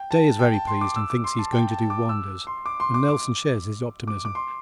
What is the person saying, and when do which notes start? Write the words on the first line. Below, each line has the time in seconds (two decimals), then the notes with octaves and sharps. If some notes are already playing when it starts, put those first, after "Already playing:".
Day is very pleased and thinks he's going to do wonders, and Nelson shares his optimism.
Already playing: G5
0.11 A5
0.39 G5
0.54 A5
0.67 C6
0.81 D6
0.96 E6
1.10 D6
1.24 C6
1.39 A5
1.53 G5
1.71 A5
1.90 D6
2.09 E6
2.47 C6
2.66 D6
2.80 C6
2.94 D6
3.09 D6
4.08 D6
4.25 D6
4.35 C6